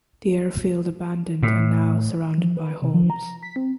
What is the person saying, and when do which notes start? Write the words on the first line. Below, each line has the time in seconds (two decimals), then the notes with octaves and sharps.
The airfield abandoned and now surrounded by homes.
1.43 A2
2.37 F3
2.57 B4
2.82 C3
2.94 F3
3.10 A#5
3.43 B6
3.56 C4